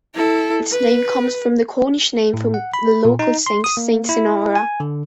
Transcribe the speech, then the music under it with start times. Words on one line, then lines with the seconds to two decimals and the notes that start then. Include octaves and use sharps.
Its name comes from the Cornish name for the local saint, Saint Senara.
0.14 E4 A4
0.71 B4
2.34 A2
2.54 F#5
2.74 B5
3.05 A#2
3.19 D#4
3.46 C6
3.64 D#6
3.77 A#3
4.09 E4
4.56 G#5
4.80 D3